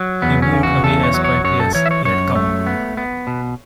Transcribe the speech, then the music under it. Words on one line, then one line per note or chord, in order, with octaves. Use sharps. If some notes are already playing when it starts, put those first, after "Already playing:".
He moved away as quietly as he had come.
Already playing: F#3
E2 B3
C#4
C#3
F#4
E2 A4
C#5
F#3
C#5
F#2 C#5
A4
E3 C#5
E5
C#5
F#2 C#5
A3
B3
B3
B2